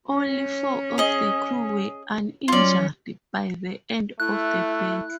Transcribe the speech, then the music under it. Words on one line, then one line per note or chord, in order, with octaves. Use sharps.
Only four of the crew were uninjured by the end of the battle.
C#4
G#4 D#5
F#3 C#4 F4 D5
A3 E4 F#6